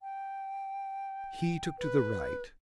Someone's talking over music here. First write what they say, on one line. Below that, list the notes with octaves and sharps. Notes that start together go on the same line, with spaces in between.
He took to the right.
G5
B4